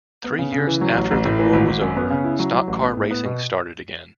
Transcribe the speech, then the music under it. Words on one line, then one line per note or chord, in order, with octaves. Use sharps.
Three years after the war was over stock car racing started again.
B3
C#3
C#3
E3
F#3
A1
A1
A2
E3
G#1
G#1
F#2
B3
C#3
E4
F#3
F#3
A1
B3
A2
B3
B2